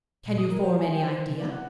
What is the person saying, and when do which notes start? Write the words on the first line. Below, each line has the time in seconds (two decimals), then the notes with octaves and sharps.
Can you form any idea?
0.25 A#2
0.38 D#6
0.50 A#4
0.63 C5
0.78 G#5
0.92 G5
1.05 C5
1.26 C3
1.37 D5
1.51 F#5